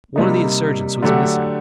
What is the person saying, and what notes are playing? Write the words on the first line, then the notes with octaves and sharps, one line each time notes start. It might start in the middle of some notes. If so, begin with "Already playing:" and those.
One of the insurgents was missing.
C3 G3 A#3 D#4
D3 F#3 A3 D4 G4